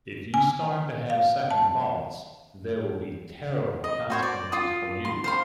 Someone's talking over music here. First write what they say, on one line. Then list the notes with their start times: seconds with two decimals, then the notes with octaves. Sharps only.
If you start to have second thoughts, there will be terrible consequences for you.
0.34 G#5
1.10 F5
1.51 A5
3.84 D#5
4.10 F#4 C5 C#5
4.22 D5
4.52 F4 D#6
5.05 C6
5.24 C5 F5 C6